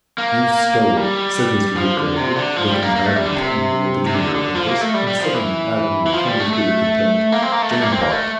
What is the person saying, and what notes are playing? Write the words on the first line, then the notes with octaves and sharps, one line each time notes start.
"You stow it," said Mr. Hoopdriver, looking hard and threateningly at the junior apprentice, and suddenly adding in a tone of bitter contempt,--"Jampot."
A#3
G3
F3
D3
C3
D3
F3
G3
A#3
A#3
A3
G3
D3
C3
C3
D3
D3
F3
A#3
A3
G3
G3
F3
E3
E3
F3
G3
A3
A3
A#3
C4
A#3
A3
A3
A#3
C4
A#3
A3